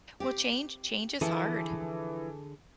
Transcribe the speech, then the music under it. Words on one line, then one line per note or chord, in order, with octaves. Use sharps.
Well, change change is hard.
C4 G4
D3 E3 F3 E4 G#4 A4